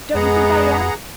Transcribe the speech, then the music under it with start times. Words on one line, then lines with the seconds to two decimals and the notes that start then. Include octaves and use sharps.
Don't you think I am?
0.15 F2 G#3 B3 G#4 F#5 A#5